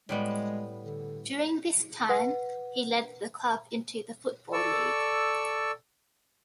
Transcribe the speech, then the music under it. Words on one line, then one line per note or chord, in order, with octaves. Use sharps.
During this time, he led the club into the Football League.
A2 G3 G#3 B3
D3
B4 F#5
A4 D5 C#6 E6